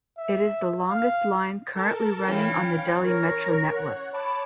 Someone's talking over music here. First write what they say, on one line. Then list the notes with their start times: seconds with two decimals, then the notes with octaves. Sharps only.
It is the longest line currently running on the Delhi Metro network.
0.18 E5
0.90 F5
1.75 A4 A#4 A5
2.27 E3 C#4 F5 G5
3.04 A#4 C#5
3.75 F#5
4.13 C#5 A5 B5 D6